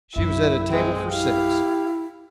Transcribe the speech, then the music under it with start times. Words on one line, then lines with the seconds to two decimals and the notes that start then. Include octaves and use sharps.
She was at a table for six.
0.16 A#1 F#2 E4 E5
0.69 G#3 C4
1.11 E4 G4 F5